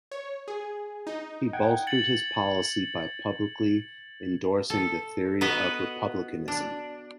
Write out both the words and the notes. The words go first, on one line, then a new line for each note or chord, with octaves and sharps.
He bolstered his policy by publicly endorsing the theory of republicanism.
C#5
G#4
D#4
F#5 G5 G#6
G#6 A6 C#7 F#7
A4
B3 F#4 B4 D#5
D4